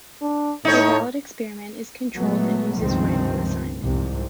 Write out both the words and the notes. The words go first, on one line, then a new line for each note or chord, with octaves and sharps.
A valid experiment is controlled and uses random assignment.
D4
A2 D#4 C#5
A#2 F#3 G#3 A3 B3
C#2 G2 C3 D#3 F3 C4
C2 F2 G#2 C3